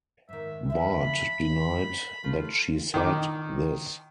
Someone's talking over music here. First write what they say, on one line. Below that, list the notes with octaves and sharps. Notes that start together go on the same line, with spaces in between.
Bart denied that she said this.
G#2 D#3 E5
F3 E5 B5
A3 F4
D#3 D6